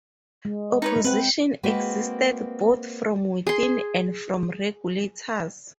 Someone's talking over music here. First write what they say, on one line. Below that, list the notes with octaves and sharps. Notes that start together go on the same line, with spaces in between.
Opposition existed both from within and from regulators.
G#3
D#4 B4 C#5
C4 B4 F#5
G#3 A#3 C4 F#4 B4
G#4 C6